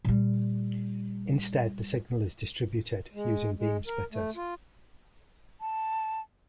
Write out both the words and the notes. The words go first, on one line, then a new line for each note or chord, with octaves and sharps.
Instead, the signal is distributed using beam splitters.
A#2 G3
G#3
G#3
A#4
A3
F4
A5